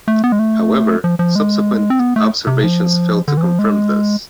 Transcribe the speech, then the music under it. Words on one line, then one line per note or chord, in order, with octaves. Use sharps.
However, subsequent observations failed to confirm this.
A3
B3
G#3
A3
F3
F3
G#3
C4
B3
A3
C3
F3
D3
E3
F3
G#3